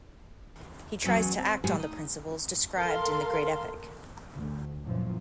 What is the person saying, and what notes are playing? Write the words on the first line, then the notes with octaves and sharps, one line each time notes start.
He tries to act on the principles described in the great epic.
E2 G#2 F#3 C#4 D5
C4
A2 F#3 G#3 G4 G#5
D#4
A4 A#4 F5 C6
D2
F#2 A#2 E3 F3